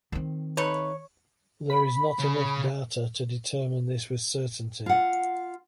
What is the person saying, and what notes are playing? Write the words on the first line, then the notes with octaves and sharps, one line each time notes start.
There is not enough data to determine this with certainty.
D#3 C4
A3 D#4 B4 C#5
B5
C#3
F4 F#5